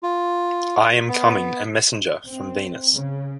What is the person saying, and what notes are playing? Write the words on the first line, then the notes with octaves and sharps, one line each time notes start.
I am coming, a messenger from Venus...
F4
B3
C4
C#3